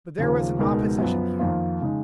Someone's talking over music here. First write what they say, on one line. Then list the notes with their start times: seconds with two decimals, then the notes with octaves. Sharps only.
But there was an opposition here.
0.18 D#2 C#3 F3 A#3
0.59 C#2 B2 G#3 D#4 A#4
0.99 F#2 F3 B3
1.39 F2 D#3 A#3 F4
1.81 C#3 G#3 D#4